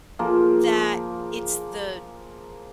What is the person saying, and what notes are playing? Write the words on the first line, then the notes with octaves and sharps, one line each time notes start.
that it's the
F3 A#3 G#4